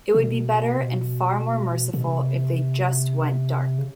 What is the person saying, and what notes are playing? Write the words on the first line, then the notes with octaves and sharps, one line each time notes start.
It would be better, and far more merciful, if they just went dark.
C3
B2
C3
B2
B2
C3
C#3